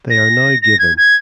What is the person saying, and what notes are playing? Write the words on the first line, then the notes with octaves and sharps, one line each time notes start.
They are now given.
A#6
A#6
G#6
G#6